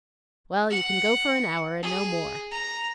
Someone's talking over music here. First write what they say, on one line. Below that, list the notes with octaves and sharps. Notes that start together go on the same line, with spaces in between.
Well, you can go for an hour, and no more.
F#5
G#4
A#5